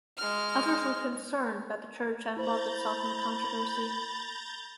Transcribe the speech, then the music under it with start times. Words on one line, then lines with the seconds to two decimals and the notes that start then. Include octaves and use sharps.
Others were concerned that the church had involved itself in the controversy.
0.17 G#3 F6
2.37 E4 C5 A#5 B5 G6 A6